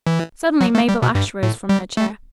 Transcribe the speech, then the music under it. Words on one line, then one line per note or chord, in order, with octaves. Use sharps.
Suddenly Mabel Ashe rose from her chair.
E3
F#3
A3
G3
B2
G2
A2
G3
A3